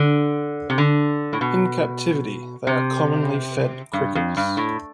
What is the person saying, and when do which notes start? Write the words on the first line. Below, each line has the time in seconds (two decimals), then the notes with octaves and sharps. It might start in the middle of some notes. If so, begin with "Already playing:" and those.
In captivity, they are commonly fed crickets.
Already playing: D3
0.70 C3
0.78 D3
1.33 A2
1.41 B2
2.67 C3
3.93 G2
4.15 F2
4.37 G2
4.57 A2